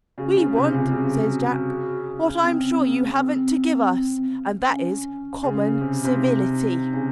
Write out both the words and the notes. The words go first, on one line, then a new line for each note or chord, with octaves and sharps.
"We want," says Jack, "what I'm sure you haven't to give us--and that is, common civility."
C#3 F#4
C#3
C3 F4
C#3
C#3 F#4
C4
C4
C#4
C#3
C3
C3
D#4
C#3